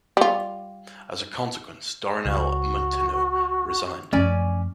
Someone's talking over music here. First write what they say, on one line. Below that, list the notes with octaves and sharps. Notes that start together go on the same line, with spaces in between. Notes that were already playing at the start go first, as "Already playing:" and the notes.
As a consequence, Dorinel Munteanu resigned.
G3 F4
C#2 F#4
F#2 F3 A3 C#4 D5 G#5